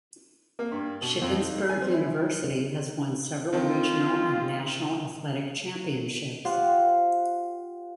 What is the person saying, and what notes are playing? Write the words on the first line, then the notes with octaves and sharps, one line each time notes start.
Shippensburg University has won several regional and national athletic championships.
A#3
G2
B2
F2
D#4
G#5
C4
E4
D#3 C4 F4
F4 G4 C5 F5 F#5